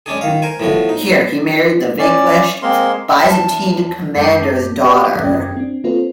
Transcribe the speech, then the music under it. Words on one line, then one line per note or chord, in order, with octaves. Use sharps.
Here he married the vanquished Byzantine commander's daughter.
G#3 C#4 D4 G#4
D#3 F5
A#4 C5 G#5
A2 F3 B3 F#4
D#4
C#4 D5
G#3 A#3 C4 C6
E2 A5
F#2 G#3 A#4 A5 D6 G6
G4 B4 D5 F#5 G5
F#2 C#4 A#4 G5 D#6 G#6
C4 D4
A#3 C4 F4 A4 B4 C5